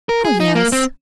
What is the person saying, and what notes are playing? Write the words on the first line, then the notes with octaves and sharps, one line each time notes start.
Oh, yes.
A#4
G#4
D#4
A#3
C4